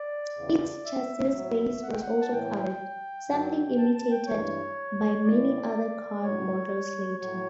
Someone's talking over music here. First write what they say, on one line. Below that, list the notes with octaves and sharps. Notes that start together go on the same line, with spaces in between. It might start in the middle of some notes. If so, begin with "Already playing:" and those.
Its chassis base was also covered, something imitated by many other car models later.
Already playing: D5
E2 C#3 E3
E5
A2 F#3
F#5
G5
F#5
A5
A2 E3 G5
F#2 D3 F#3
A5
A5
G5
G2 E3 C#5
A2 E3 D5
A2 F#3 C#5
A2 F#3 C#5